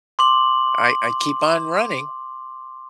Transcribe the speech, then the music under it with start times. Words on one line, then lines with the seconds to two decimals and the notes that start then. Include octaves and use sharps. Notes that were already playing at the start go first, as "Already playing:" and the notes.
I I keep on running.
0.19 C6 D6 F#7